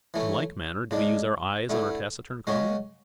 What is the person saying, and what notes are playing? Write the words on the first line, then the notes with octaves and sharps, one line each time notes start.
In like manner do we use our eyes on our taciturn comrade.
E3 A3 C#4
C#3 G#3 D4
D3 A3 E4
C#3 G#3 C#4 F#4